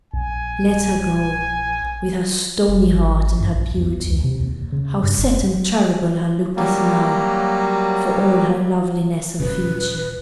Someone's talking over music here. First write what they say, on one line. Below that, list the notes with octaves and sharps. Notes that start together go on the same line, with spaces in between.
Let her go,--with her stony heart, and her beauty;--how set and terrible her look is now, for all her loveliness of feature!
A#1 G#5
F1
G#1
G2
A#1
E2
C#2
C3
D#2
C#3
G2
F1
F#3 G3 A#3
D#1 C#3 B4